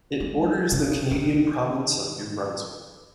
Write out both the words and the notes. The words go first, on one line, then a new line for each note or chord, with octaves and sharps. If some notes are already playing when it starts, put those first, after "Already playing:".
It borders the Canadian province of New Brunswick.
G#3
C#3
D#3